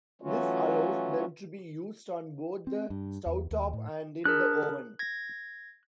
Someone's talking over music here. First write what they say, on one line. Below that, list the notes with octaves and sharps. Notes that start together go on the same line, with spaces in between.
This allows them to be used on both the stovetop and in the oven.
E3 F#3 A3 C#4 F4 F#4
C4
G2
E2
D#2
A2
D4 G#4 A#4 F#6
G#6 A#6